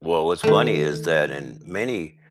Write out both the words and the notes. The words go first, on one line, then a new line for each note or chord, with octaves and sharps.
Well, what's funny is that in many
D#3 A3